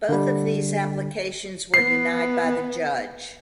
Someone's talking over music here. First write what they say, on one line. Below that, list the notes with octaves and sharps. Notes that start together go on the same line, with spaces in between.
Both of these applications were denied by the judge.
D3 G3
B3 C7